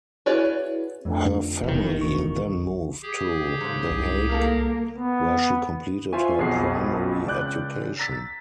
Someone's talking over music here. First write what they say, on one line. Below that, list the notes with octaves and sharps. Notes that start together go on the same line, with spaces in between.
Her family then moved to The Hague, where she completed her primary education.
E4 F#4 G#4 B4 C#5 D5
F2 D3 F3 A3
E1 D#3
A#1 C#6
G4 G#4
G#2 C#3
C2
A#3 A4 A#4 F5
B3
F4 C5 E5 G#5 C#6
B1 F2 G#4 F#5 G#5 C7
C#2 C#4 D5 D6 F#6 G6
A#5 E6 A6 B6